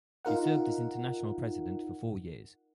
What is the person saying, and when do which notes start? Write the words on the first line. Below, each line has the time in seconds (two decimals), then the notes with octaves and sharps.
She served as international president for four years.
0.25 D#4 F4 A#4 F#5